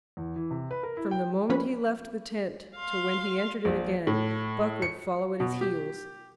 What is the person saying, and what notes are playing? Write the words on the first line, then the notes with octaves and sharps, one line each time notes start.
From the moment he left the tent to when he entered it again, Buck would follow at his heels.
E2
E3
C3
B4
A#4
E4
G5
F3 A#3 C#4 B4 B5
F5 C6
A#1
A2
C#7
B2
G4